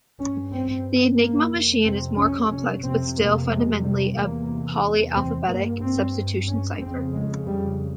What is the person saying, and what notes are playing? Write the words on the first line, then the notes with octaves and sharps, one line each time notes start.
The Enigma machine is more complex but still fundamentally a polyalphabetic substitution cipher.
G2 C#4
C4
A#3
F2 C3
C4
C#4
C#4
F2 C3 C4
A#3
G#3
G3
E2 C3 A#3
C4
G2 A#3
C4
C#4
F2 C#3 C4
G#3
G3